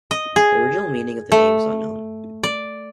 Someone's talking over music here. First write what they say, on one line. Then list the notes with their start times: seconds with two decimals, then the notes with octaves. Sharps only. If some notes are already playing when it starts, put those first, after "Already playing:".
The original meaning of the name is unknown.
0.11 D#5
0.36 G#4
1.32 A3
2.43 D5